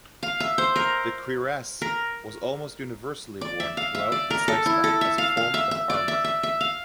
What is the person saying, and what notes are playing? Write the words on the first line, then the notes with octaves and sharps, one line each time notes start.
The cuirass was almost universally worn throughout its lifespan as a form of armour.
F5
E5
C5
A#4
A#4
D5
E5
F5
E5
D5
A#4
A4
E4
A4
E5
F5
F5
E5
E5
D5
E5
E5
E5
F5